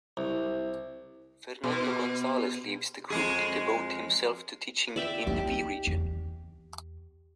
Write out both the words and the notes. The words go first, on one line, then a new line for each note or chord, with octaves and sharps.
Fernando González leaves the group to devote himself to teaching in the V Region.
C2
B2
F2 G#3 G#4
D5 E5 G5
A#3 D#4 G4
E2